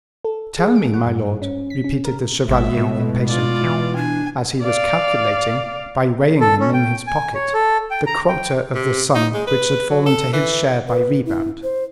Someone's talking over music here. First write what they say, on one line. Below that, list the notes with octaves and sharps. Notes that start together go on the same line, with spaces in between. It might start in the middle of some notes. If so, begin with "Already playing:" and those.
"Tell me, my lord," repeated the chevalier impatiently, as he was calculating, by weighing them in his pocket, the quota of the sum which had fallen to his share by rebound.
A4
G#4
D7
F#5
G2
C#4
B6
C#4
A#4
G#1 B2 G#3 E5
A2
F4 D5
E3
D4 G#5
D5 F5
A4
C#4
G5
G#5
C#5
A4
G5
A#5
G5
C3
D#4
G#3
B4
F#3
A4
E3
B4
E4
C5